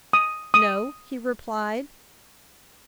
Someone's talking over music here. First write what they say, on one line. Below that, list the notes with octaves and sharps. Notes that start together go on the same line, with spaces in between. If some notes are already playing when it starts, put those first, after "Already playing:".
"No," he replied.
D#6
D#6